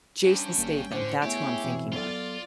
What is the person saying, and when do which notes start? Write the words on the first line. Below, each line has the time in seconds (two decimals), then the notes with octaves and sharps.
Jason Statham, that's who I'm thinking of.
0.24 G2 C#4 G5
0.58 G#1 A#3
0.92 A2 D3 C5
1.23 A3 B3 E4 G4 G#4 C#5
1.63 B2 E3 C4
1.93 F#3 B3 F4 A4 D5